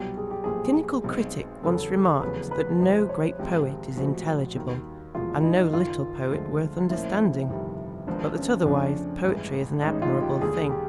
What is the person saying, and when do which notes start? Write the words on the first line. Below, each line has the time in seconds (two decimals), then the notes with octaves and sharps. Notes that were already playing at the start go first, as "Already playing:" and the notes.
A cynical critic once remarked that no great poet is intelligible and no little poet worth understanding, but that otherwise poetry is an admirable thing.
Already playing: C2 B2 F#3 G4
0.17 G#4
0.31 G4
0.44 B1 A#2 F3 A3 G#4
1.04 B1 B2 G#3 C4 D#4
1.63 E2 C#3 F#3 B3 A4
2.21 F1 E2 C#3 F#3 B3 B4
2.51 B4
2.80 C#2 C3 F3 C5
2.98 C5
3.09 C#5
3.39 G#1 G#2 F3 G#3 C4 G4
3.97 A#1 A2 F3 G#3 C4 F#4
4.56 D#2 D#3 G3
5.14 F1 E2 B2 G#3 F4
5.43 D#4
5.73 F#1 F#2 D#3 F4
6.31 D2 D3 F3 G#3
6.90 A#1 A2 F3 A#3 C#4 E4
7.48 G1 F2 C3 D#3 G3
8.07 G#1 G#2 F3 G#3 B3 D4
8.37 C#4
8.66 F2 C#3 F3 A3 D4
9.24 A1 G2 E3 G#3
9.82 A1 G#2 E3 G#3 C#4 D#4
10.02 F4
10.22 G4
10.41 E1 D#2 D3 G#4
10.71 G4